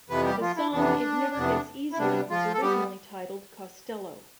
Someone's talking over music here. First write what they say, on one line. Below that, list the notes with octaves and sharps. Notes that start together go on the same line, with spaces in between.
The song "It Never Gets Easier" was originally titled "Costello".
F2 C3 E3 B3 B4
G3 G4
F3 F4
E4
F2 C3 E3 B3 D4
F2 C3 E3 B3
E4
C3 G3 B3 D4
F3 F4
A4
G3 B3 G4